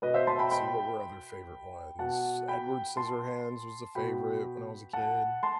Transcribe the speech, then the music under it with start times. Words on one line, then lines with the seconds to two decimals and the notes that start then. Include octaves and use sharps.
let's see what were other favorite ones. Edward Scissorhands was a favorite when I was a kid.
0.02 B2 B4 D#5
0.14 C5 E5
0.27 A5 C6
0.39 G5 B5
0.51 G5 B5
1.99 B2 F#5 A5
2.48 G5 B5
2.97 A5 C6
3.95 B2 G5 B5
4.93 F#5 A5
5.43 A5 C6